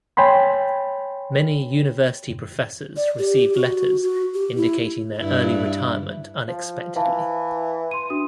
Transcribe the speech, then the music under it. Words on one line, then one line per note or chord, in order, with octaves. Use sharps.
Many University professors received letters indicating their early retirement unexpectedly.
C#5 G5 G#5 B5 C6
D5
G4
F#4
F#4
G4
E4
G2 E4
F3
E3 F5 A5
C6 D#7
D4 F#4 D#6